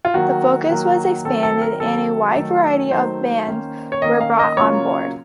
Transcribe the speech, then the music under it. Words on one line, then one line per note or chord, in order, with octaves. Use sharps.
The focus was expanded and a wider variety of bands were brought on board.
F4
D#3 F#3 A#3 F#4
D#3 F#3 A#3
D#3 F#3 C4 A4
A4
A#4
D#3 F#3 C4 A4
D#3 F#3 A3 D#4
D#3 F#3 A3 D#4 C5
D#3 A#3 C#4
C#5
D#3 A#3 C#4 D#5
F5
D#5
C#3 F#3 A#3 F4 C#5